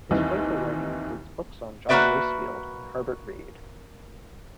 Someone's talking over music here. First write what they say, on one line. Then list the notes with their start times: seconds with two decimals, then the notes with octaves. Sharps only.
His critical writing includes books on John Masefield and Herbert Read.
0.11 D#2 E3 C4 D#4
1.89 A#3 F#4 G4 B4 D5 E5